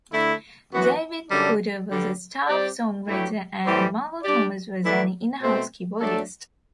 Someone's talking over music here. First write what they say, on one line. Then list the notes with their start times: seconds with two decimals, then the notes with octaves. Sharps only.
David Porter was a staff songwriter and Marvell Thomas was an in-house keyboardist.
0.12 D3 A3 E4
0.72 F#2 E3 B3 F#4 B4
1.30 F#2 D3 G3 D4 A4
1.89 G2 D3 G3
2.47 G3 C4 G4 D5
3.07 G2 F#3 A3 E4 G4
3.64 A2 E3 G3 C4 G4
4.23 G3 D4 G4 D5
4.83 E3 A3 E4 B4 D5
5.41 B2 A3 C4
6.00 F#3 A3 D4 A4 D5